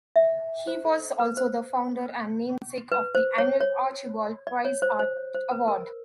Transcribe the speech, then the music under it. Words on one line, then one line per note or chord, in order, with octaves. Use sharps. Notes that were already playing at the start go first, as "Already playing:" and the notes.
He was also the founder and namesake of the annual Archibald Prize art award.
E5
C5
A4
B4
C5
B4
C5
C#5
C#5
D5
C#5
C5
C5
C#5
C5
B4
A#4